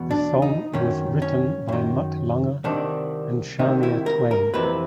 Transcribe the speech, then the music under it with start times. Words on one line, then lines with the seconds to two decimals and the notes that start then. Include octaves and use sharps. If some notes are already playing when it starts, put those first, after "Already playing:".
The song was written by Mutt Lange and Shania Twain.
Already playing: E2 B2
0.11 D4
0.42 D#4
0.73 F#2 D#3 C#4
1.22 C#4
1.68 F#2 D#3
2.64 C2 C3 D#3 D4
3.59 C2 C3 D#3 D#4
3.83 E4
4.06 A#4
4.31 A#4
4.54 F2 C3 E3 B4